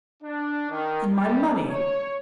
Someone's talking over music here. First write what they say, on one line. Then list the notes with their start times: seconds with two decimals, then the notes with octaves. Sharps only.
And my money!
0.23 D4
0.70 D#3
1.15 G3
1.69 C#5